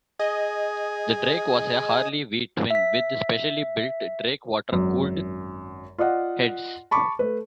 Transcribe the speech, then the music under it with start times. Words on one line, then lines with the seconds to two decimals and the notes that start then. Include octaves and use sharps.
The Drake was a Harley V-twin with specially built Drake water cooled heads.
0.19 G#4 D#5
2.70 E5 B6
4.72 G#1 F#2
5.98 F4 D5 D#5 F#5
6.91 A5 B5 C#6 D6
7.19 A3 B4